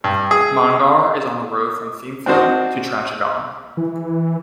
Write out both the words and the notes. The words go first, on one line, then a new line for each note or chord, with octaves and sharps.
Mongar is on the road from Thimphu to Trashigang.
G2
G#4
C4 D4 F#4 C5 D#5
E3